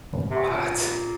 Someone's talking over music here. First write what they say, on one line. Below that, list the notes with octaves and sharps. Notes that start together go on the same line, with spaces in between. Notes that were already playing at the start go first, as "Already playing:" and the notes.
Oh, what?
C3
A#2